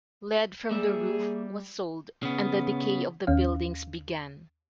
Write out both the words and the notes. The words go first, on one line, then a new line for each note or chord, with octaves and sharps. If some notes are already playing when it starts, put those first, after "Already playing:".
Lead from the roof was sold and the decay of the buildings began.
G3 A#3 G#4 E5
C#3 B3
D#2 C#4 F5